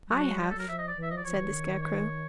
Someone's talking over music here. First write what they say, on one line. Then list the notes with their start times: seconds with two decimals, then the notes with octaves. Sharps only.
"I have," said the Scarecrow.
0.07 G3
0.12 F#3 F#4
0.40 G3 G4
0.50 A4
0.56 F#3 A#4
0.69 F3 E5
0.79 D#5
0.88 D5
0.96 E3
1.03 E5
1.11 F3 D#5
1.17 D5
1.25 F3 C#5
1.34 D#3
1.39 E3
1.49 D3
1.54 D#3
1.82 C#5